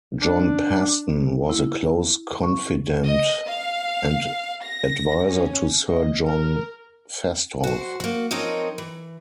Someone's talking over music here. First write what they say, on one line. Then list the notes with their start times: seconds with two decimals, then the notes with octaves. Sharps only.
John Paston was a close confidante and advisor to Sir John Fastolf.
0.22 D4
1.50 E4
2.43 C#6
3.04 D#5
3.47 F5
4.64 A#6
5.27 C#4
5.87 D#5
6.25 A#4
7.64 F#4 C5
8.00 A#3 F#4
8.31 F3 C4 D#4 A#4 C#5 D#5
8.78 E3